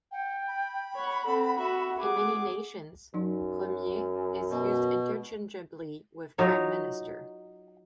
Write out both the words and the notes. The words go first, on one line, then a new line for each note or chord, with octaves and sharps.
In many nations, "premier" is used interchangeably with "prime minister".
F#5 G5
B5
C#5 F#5
C4 A4 F#5
F#4 E5
G#4 D6
F#2 F#3 D#4
B2
F#3 D#4 F4 C#5